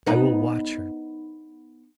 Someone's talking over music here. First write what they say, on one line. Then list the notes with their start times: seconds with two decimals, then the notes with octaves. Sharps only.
I will watch her.
0.07 B3 D#4